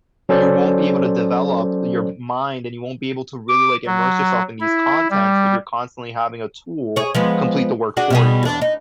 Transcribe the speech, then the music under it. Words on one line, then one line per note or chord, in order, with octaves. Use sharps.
you won't be able to develop your mind, and you won't be able to really, like, immerse yourself in these contents if you're constantly having a tool complete the work for you,
F#3 C#4 A4 C5 D5
D6
F#3
E4
G3
G#4 C#5
F3 G#3 B3
D4 F#4 G#4
B2 G3 G#4
E2 D4
D#4